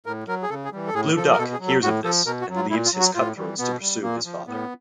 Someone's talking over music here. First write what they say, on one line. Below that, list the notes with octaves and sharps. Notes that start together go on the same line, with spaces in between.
Blue Duck hears of this and leaves his cutthroats to pursue his father.
A2 A#4
F#3 A#4
G#4
C#3 A4
G#4
E3 G3
A4
A2 G#4
F3 A4
A#4
B2 A4
G#4
F#3
A4
A2 F#4
F3 A4
B2 A#4
F#4
F#3
F4
A#2 E4
F4
F#3
F#4
A2 F4
E3 G3
B2 B3
G3
A#2 A#3
F3
A2 B3